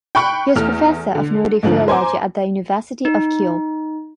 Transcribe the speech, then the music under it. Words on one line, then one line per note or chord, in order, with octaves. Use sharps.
He was Professor of Nordic philology at the University of Kiel.
G5 B5 C#6 F#6
E2 A3 F6
D3
G#2 D3 F3
C5 G#5 A#5 D6
D#4